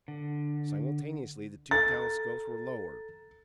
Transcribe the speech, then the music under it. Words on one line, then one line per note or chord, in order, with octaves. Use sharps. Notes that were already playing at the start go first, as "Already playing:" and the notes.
Simultaneously the two telescopes were lowered.
D3
A4 A#5 A6